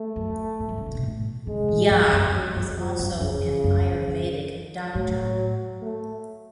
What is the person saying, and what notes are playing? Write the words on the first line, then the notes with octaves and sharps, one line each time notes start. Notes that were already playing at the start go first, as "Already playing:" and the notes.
Jha is also an Ayurvedic Doctor.
Already playing: A3
F#2
G#2
F3
D3
C#3
B2
A2
C#3 G#3
A2
G#2
F#2
F2 F#3
F#2
F#2 F3
F#2
F2 C#3
F#2
F#2
A2 F#3
A3